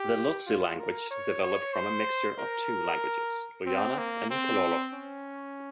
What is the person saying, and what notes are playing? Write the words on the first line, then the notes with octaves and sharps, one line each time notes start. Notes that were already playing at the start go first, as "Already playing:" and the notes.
The Lozi language developed from a mixture of two languages: Luyana and Kololo.
Already playing: G4
F4
A#4
C#5
C#5
C5
A#4
C4
A#3
C4
C#4